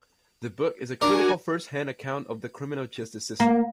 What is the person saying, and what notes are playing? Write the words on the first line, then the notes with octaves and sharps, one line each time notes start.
The book is a critical first hand account of the criminal justice system.
D4 F#4 A#4 G#5
A#3